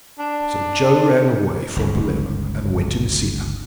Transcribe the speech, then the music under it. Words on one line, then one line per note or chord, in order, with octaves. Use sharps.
So Joe ran away from Palermo, and went to Messina.
D4
G1 C#2